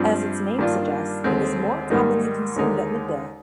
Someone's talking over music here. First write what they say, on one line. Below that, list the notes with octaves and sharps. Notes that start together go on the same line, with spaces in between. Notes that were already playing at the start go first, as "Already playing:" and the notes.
As its name suggests, it is more commonly consumed at midday.
Already playing: G2 F3 C4
G2 D#3 A#3 D4 F4
D#2 D3 G#3 C4
G#2 D#3 G3 A#3 D#4
D#2 D3 G#3 D#4 A#4